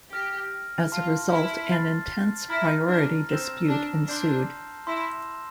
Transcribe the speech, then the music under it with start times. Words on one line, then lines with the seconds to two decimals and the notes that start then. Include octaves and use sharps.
As a result, an intense priority dispute ensued.
0.13 G4 F6 A#6 D7
0.92 F4 A5 C6 F6
1.31 E4
1.71 C6 F6 A6 C7
2.49 E4 A#5 F6 A#6
2.89 D4
3.29 C4 E6 A#6 E7
3.68 D4
4.08 D4 A5 C6 G6 C7
4.87 E4 C6 E6 A#6 E7